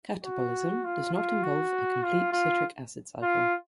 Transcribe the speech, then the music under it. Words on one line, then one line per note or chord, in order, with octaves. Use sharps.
Catabolism does not involve a complete citric acid cycle.
F#4
F4
F4
F#4
F4
F4
F4